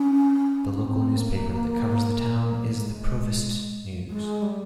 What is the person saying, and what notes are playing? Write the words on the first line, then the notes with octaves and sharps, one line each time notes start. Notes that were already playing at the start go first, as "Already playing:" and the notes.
The local newspaper that covers the town is "The Provost News".
Already playing: C#4
C4
A#3
G#3
G#3
G3